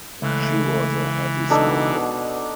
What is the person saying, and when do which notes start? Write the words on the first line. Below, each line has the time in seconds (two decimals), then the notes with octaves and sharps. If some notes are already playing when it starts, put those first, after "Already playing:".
She was a heavy smoker.
0.22 C#2 E3 A3
1.50 B2 D4 D#4 A4